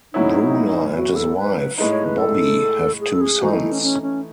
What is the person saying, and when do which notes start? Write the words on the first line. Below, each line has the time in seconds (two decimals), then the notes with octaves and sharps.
Bruner and his wife, Bobbie, have two sons.
0.13 A2 F#3 C#4 D#4 E4
0.96 F#4
1.15 A4
1.37 B4
1.57 B4
1.77 A2 G#3 D#4 B4
1.91 C#5
2.04 B4
2.18 A4
3.01 G#4
3.13 A4
3.21 G#4
3.41 E3 A3 D#4 F#4
3.51 E4
3.61 E4
3.72 C#4
3.82 C#4
4.02 C#4